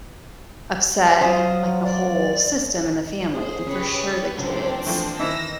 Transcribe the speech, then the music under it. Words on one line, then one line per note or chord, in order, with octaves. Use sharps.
upset, like, the whole system and the family, and for sure the kids.
F#3 F4 C5 D#6
D5
G#4 C5
C#3 G4 B4 C#5
C#2 F#3 C4 D4
E3 F3 A3
D#3 E3 D#4 E6 A#6